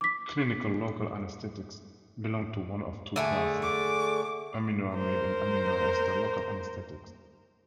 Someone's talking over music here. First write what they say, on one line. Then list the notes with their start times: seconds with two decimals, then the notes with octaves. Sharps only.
Clinical local anesthetics belong to one of two classes: aminoamide and aminoester local anesthetics.
0.01 D6 B6
3.16 D3 A3 G#4
3.62 D6
4.95 A#4 C5